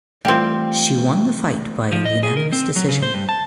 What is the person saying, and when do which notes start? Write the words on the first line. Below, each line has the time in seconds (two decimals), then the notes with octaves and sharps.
She won the fight by unanimous decision.
0.25 E3 G3 A3 C4 F4 G5
1.92 F3
2.05 D#5
2.23 G#4
2.37 A#4
2.53 C4
2.76 F#3
2.89 C#3
3.02 C5
3.14 G2
3.29 A5